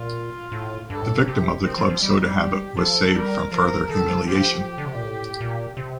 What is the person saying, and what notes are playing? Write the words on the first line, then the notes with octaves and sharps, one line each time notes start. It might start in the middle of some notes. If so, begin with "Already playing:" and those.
The victim of the club soda habit was saved from further humiliation.
Already playing: A#2 F4
A2
G2 A4
A2
A#2
C3 G4
D#3 C4
F3
F3
G3 D#4
G3
G4
F3 A4
G3 A#4
F3 A#4
D#3 A4
F3
F3 G4
G4
D3
C3
A#2
A2
A#2
C3